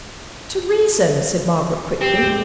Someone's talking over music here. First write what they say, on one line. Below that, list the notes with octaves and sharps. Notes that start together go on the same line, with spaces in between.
'To reason!' said Margaret, quickly.
C4 G4
A#2 G#3